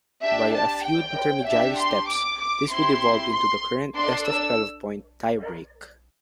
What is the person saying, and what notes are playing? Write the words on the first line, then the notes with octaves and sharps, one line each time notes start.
Via a few intermediary steps this would evolve into the current best-of-twelve-point tie-break.
D4 G4 E5
A5
G5
D4 G4 E5
C6
D6
D6
C4 E4 G4 C6
C6
D4 A4 C6
E6